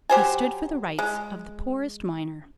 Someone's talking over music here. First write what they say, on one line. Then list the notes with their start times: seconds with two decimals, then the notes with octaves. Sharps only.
He stood for the rights of the poorest miner.
0.10 F#3 G4 C5 G#5
0.99 G#3